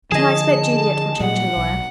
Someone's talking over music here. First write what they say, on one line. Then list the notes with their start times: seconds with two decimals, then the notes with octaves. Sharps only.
But I expect Juliet will change her lawyer.
0.12 D3 F3 G#4 D#5 A5
1.20 A#2 F#3 G3 F#5
1.57 B1